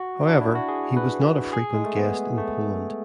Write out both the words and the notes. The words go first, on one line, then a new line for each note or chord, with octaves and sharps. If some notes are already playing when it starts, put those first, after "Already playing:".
However, he was not a frequent guest in Poland.
Already playing: F#4
D4
E4
F#4
G#4
B4
G#4
G#3
A3
B3
A3